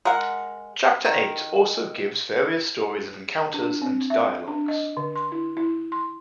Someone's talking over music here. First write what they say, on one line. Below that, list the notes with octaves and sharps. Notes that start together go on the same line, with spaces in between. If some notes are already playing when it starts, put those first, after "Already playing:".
Chapter Eight also gives various stories of encounters and dialogues.
G#3 A#4 F#5
D#3
D4
C4
E5
D4
D#5
D3
C6
E4
E4
C6